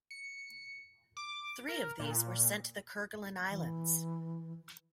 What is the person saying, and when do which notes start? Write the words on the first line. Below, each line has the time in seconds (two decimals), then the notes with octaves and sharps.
Three of these were sent to the Kerguelen Islands.
0.11 C#7
1.17 D6
1.69 A#4
2.00 A#2
3.50 E3